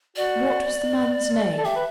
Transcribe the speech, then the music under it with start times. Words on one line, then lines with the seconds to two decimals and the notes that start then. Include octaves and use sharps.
"What was the man's name?"
0.16 F#4 D5
1.58 A4
1.64 G4 E5
1.76 B4